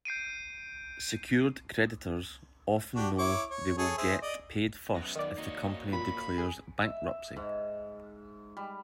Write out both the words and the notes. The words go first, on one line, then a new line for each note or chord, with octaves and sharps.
Secured creditors often know they will get paid first if the company declares bankruptcy.
G6 C7 D7 D#7
D4 F#4 G4
E4 C#5 D6
C#5
G#4 A4 C#5
G#4 C5 E5
D5 D#5
F#2 B3 A#6
D#3 D5
A#3 F#4 C#5 D#5
A#2 B5
G#4
E5
G#2
G3